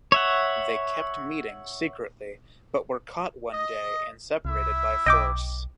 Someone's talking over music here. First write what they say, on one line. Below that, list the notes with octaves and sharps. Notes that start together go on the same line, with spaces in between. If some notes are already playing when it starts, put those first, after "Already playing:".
They kept meeting secretly but were caught one day and separated by force.
C#5 E5 F#5
D#5
C2 E4 E5
B1 D#5 G5 D6